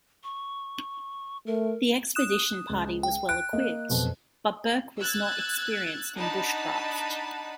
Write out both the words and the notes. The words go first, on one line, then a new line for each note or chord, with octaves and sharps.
The expedition party was well equipped, but Burke was not experienced in bushcraft.
C#6
A3 A#4
D#6 F#6 E7
C#2
G5
F#6 D7
A#3 D#5
F#1 F2 B2
E6 F#6 G#6 A6
D4 D#4 F#5 A5 B5